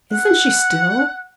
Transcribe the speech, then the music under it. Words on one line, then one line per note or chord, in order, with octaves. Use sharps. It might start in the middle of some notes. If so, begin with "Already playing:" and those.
"Isn't she still?"
F#5